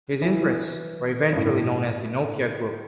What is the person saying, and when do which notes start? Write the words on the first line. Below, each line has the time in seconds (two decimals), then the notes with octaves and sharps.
His interests were eventually known as the Nokia group.
0.22 E3
1.33 G2
1.37 A2